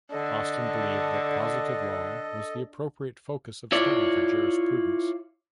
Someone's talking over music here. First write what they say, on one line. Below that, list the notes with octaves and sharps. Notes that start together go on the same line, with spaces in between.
Austin believed that positive law was the appropriate focus of study for jurisprudence.
D3 A4 D#5
E4 F4 C#5 D5